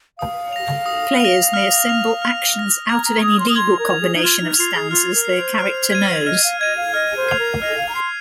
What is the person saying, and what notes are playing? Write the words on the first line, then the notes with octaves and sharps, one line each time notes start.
Players may assemble actions out of any legal combination of stanzas their character knows.
F5 D#6
A#6 F7
D#6
A#6 F7
F6
A#6 F7
F6
A#6 F7
A#5 G#6
A#5
D#6 F7
C6
D#6
C6 G#6
A#4
F7
G#4
D#4
F4 F6
D#4
F4 C7 F7
G#4
F4 F6
A#4
C7 F7
C5
F6
G#6 D#7
D#5 F6
F5
D#5 G#6 D#7
F5
D#5 F6
C5
C7 F7
A#4
D#5 F6
F5
A#5
C6 C7 F7